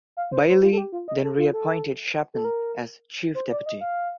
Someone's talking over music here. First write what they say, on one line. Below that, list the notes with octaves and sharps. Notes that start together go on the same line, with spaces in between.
Bailey then reappointed Chapman as chief deputy.
F5
C5
C5
F4
A4
G4
F4
D#5
A4
F4
A4
A4
A#4
C5
D5
D#5
F5